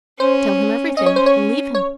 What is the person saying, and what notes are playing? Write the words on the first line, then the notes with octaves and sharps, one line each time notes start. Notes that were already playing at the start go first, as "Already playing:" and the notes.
"Tell him everything, and leave him."
C#4 C5
C#4 D#5
C#5
C5
C#5
C#5